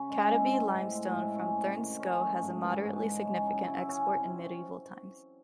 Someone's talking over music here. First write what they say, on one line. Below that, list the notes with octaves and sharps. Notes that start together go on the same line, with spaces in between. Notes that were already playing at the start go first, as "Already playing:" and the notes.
Cadeby limestone from Thurnscoe was a moderately significant export in medieval times.
Already playing: C#3 C#4
G#3
E4
C4
A2
G#3
A2
C#4
C3
D#3
C#4
A3
G#2
E3
G#2
G#3
C#3
F#3
E4
C#4
C3